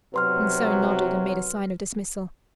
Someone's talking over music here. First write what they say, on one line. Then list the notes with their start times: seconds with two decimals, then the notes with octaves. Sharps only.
Monceux nodded, and made a sign of dismissal.
0.14 B1 C3 F#3 B4 C6 F6